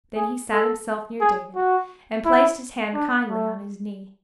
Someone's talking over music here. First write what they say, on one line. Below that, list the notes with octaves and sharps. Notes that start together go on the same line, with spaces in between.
Then he sat himself near David and placed his hand kindly on his knee.
G#4
A4
G#4
F#4
E4
D4
A3